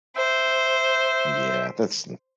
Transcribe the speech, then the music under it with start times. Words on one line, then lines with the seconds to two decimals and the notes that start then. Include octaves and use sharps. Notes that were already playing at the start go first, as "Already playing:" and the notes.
Yeah, that's n
0.16 C5 E5 G5